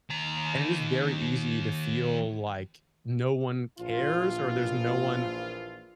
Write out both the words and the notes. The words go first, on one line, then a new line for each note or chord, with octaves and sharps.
and it is very easy to feel like no one cares or there's no one,
D#2 A#5
A#1 A#2 E3 F3 F4